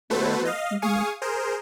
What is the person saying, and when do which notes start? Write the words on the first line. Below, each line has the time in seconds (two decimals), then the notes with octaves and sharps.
whatever, mhm.
0.10 A3 B3 F#4 A4 B4 C5
0.45 D#5 F5
0.82 G#4 F5 G#5 C#6 D#6
1.22 G#4 A#4 C5